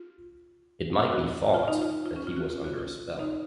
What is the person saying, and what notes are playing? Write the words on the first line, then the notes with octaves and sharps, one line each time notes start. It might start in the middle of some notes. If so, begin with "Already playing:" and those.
It might be thought that he was under a spell.
Already playing: F4
F#4
F4
D#4
F4
F4
C#4
F4
F#4
F4
F#4
F4
D#4